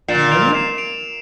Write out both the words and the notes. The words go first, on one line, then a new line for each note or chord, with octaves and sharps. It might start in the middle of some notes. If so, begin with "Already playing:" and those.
"The murder?"
A#2 C7 E7
D7 F7
C7 E7
D7 F7